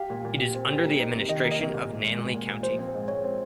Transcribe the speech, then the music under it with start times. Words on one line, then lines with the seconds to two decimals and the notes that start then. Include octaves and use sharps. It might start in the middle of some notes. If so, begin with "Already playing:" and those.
It is under the administration of Nanle County.
Already playing: G4 F5
0.10 A#2
0.25 A#2
0.39 G4
0.55 C4
0.68 G4
0.84 A#3
0.99 D#4
1.14 C3
1.28 D#3 D#5
1.44 A#3
1.51 D#5
1.59 C3
1.74 A#2
1.88 G#3
2.03 G#3
2.18 A#2
2.34 A#2
2.49 A#2
2.63 F3 C5
2.79 C4
2.94 G#2
3.08 G#2 C#5
3.24 C4